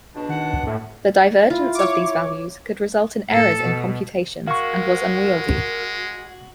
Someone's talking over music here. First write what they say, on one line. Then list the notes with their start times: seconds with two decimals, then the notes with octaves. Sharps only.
The divergence of these values could result in errors in computations, and was unwieldy.
0.14 C#2 B2 D4
0.29 D#3 F#5
0.67 A2 E5
1.50 E4 F4
1.75 C#5 D6
3.29 A2 A4
3.62 B2
4.47 G#3 F#4 A#4 F5 C#6